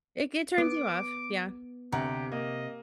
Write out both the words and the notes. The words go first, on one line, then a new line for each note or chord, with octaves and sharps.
It it turns you off. Yeah.
B3 D6
D2 C3 G4 F#5 A#5
A#3 D#5